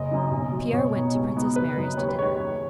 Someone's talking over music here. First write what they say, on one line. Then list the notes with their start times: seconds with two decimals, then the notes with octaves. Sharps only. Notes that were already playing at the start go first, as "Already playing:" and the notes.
Pierre went to Princess Mary's to dinner.
Already playing: F#1 D#5
0.11 F#2 F#3 D#4
0.31 B1
0.52 B2 F#3
0.73 B1 C#5
0.93 B2 B3 D#4
1.15 C#2
1.36 B2 B3 D#4
1.56 F#1 B4
1.77 F#2 F#3 D#4
1.97 D#2 C#5
2.09 B4
2.18 D#3 G#3 C#5
2.39 F#2